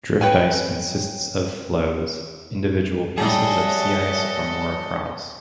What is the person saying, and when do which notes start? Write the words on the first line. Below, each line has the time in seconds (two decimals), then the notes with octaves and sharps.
Drift ice consists of "floes", individual pieces of sea ice or more across.
0.21 B4 C#5 G5 G#5
3.17 F#3 G3 G#4 A4 C#5 D#5 E5 A5